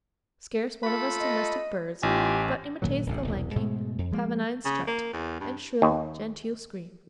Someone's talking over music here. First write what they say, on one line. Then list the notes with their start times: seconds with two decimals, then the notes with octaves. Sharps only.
Scarce one of us domestic birds but imitates the lanky, pavonine strut, and shrill, genteel scream.
0.83 A3 F4 A4 B5
1.20 D#5
2.03 A1 B3 D#4 F4 G4 G#5
2.82 G#1 A#2 D#3 F#3
3.06 D1 A1 C3
3.24 E1 C2
3.56 G#2 B2 G#3 A3
3.98 F2
4.11 F3 G#3 A#3
4.65 C#3
4.87 A#3
5.13 E2
5.40 G2
5.82 D#2